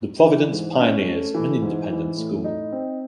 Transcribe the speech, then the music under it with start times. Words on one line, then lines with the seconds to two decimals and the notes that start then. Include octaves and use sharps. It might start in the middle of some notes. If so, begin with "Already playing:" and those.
The Providence Pioneers are an independent school.
0.24 E3
0.52 G#2
0.80 C#4
1.07 A3
1.34 E3
1.62 G#2
1.90 E3
2.17 A2
2.44 D#4
2.72 C4